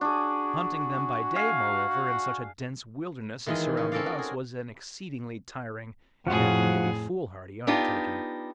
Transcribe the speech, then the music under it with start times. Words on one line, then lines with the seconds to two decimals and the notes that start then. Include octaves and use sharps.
Hunting them by day, moreover, in such a dense wilderness as surrounded us, was an exceedingly tiring and really foolhardy undertaking.
0.01 D4 F#4 G#4
1.35 F5 G#5
3.46 D#3 E3 G#3 F4 D#5
3.60 C4
3.77 C#3
3.92 C4 C#4 A4 A#4 D5 F5
4.06 F#4
4.18 G#4
6.27 F2 A2 F3 F#4 G#4
7.67 B3 D4 D#4 F4 G4